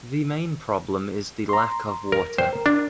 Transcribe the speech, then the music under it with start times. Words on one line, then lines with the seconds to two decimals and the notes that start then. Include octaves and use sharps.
The main problem is the lack of water.
1.49 A#5 C6
2.12 A#4
2.38 C5 G5
2.53 A#4
2.66 D4